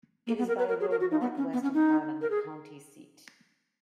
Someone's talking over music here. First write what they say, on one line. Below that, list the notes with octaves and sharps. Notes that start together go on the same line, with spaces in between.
It is by road northwest of Harlan, the county seat.
A#3
B3
A#4
B4
A#4
G#4
A#4
F#4
D#4
B3
C#4
B3
C#4
D#4
A#4
G#4